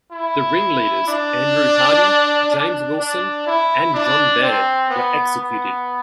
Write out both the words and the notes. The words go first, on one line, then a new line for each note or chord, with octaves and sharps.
The ringleaders, Andrew Hardie, James Wilson and John Baird were executed.
E4
D4
D4
D4
E4
D4
C4
B3
B3